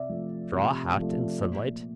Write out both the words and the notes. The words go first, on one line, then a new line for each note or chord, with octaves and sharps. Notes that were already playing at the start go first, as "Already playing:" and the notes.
Straw hat in sunlight.
Already playing: C3 D5 E5
F3 A3
C3
F3 A3
A#2